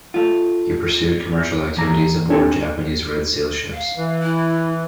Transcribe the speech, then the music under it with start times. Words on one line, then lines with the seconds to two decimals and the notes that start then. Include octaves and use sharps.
He pursued commercial activities aboard Japanese Red Seal Ships.
0.14 A3 F4
1.77 E3 A#3 A#5
2.30 C4 D4 A4 C#5
3.73 F5
3.97 E3
4.23 E4